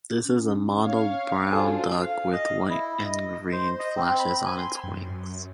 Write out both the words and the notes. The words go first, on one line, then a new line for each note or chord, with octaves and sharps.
This is a mottled brown duck with white and green flashes on its wings.
C#4
C#5 F5
D4 F4 F#4 A4 C5 G#5
F5
D#5
E4
D#5
C5
D#5
C4
B5
G#5
C6
F#2